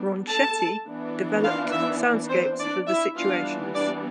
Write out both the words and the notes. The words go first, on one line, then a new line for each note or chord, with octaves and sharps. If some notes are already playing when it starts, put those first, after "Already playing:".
Ronchetti developed soundscapes for the situations.
Already playing: G3 B3 D4
A4 A5
E3 B3 D4
F4 F5
E4 E5
C4 C5
D4 D5
E4 E5
E3 G3 B3 D4 F4 F5
D4 D5